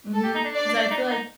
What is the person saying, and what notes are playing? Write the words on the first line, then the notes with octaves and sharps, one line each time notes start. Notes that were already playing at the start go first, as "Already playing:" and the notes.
Mhm, 'cause I feel, like
A4
G4
D#4
D4
D4 D5
D4
D4
D#4
D4
D#4